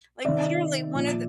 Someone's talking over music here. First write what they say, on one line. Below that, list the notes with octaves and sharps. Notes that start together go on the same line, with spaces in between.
Like, literally one of the
C3 D#3 D5 E5
A#2 F3